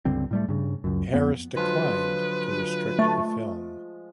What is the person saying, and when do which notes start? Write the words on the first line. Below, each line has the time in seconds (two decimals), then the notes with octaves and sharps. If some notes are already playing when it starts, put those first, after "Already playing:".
Harris declined to restrict the film.
0.05 C#2 G2 D3 C4
0.31 A2 G3 A3
0.48 G2 C#3
0.84 C#2 F#2
1.14 F2 B3
1.56 D3 F3 F#3 G#3 B4
2.99 A3